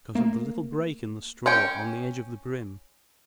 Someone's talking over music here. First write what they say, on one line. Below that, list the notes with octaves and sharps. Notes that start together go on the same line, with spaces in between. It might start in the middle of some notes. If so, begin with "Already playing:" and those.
Because of the little break in the straw, on the edge of the brim.
A3 A#3
C#4 C#5 G5